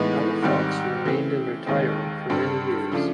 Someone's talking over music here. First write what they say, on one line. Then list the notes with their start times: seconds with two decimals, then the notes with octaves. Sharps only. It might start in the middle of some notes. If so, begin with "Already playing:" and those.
Palafox remained in retirement for many years.
Already playing: A2 E3 G#3 B3 D#4
0.42 G#2 D#3 G3 C4
1.05 C#3 E3 A3 C4
1.66 D#2 D#3 G#3 C4
2.29 G2 D3 G3 C4
2.92 C#3 F3 A3 D4 F4